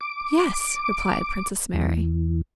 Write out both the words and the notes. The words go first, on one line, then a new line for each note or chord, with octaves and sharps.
"Yes," replied Princess Mary.
D6
E2